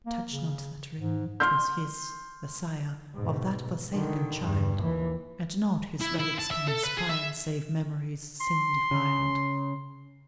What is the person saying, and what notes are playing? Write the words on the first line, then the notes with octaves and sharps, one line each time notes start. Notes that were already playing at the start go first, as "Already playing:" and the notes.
Touch not that ring; 'twas his, the sire Of that forsaken child; And nought his relics can inspire Save memories, sin-defiled.
A#3
C#3
G#2
C6 F6 G6
G#2 B2
D3 D#3
E2 G2
D#2 E3
E4
E4
A5
E5
A4
B4
G#4
E5
C6
C#3